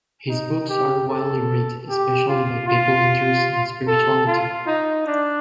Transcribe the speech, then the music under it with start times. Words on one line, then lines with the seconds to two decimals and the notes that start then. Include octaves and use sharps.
His books are widely read, especially by people interested in spirituality.
0.29 D#4
0.69 G4
1.09 A4
1.89 G4
2.28 F4
2.68 F4
3.87 A4
4.27 F4
4.67 D#4
5.07 D4